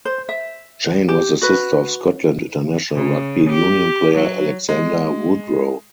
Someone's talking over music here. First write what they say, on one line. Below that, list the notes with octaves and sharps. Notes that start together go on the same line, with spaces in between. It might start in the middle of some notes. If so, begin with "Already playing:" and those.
Jane was the sister of Scotland international rugby union player Alexander Woodrow.
C5
E5
G4
F#4 B4
C#3
G4
F#3
G#3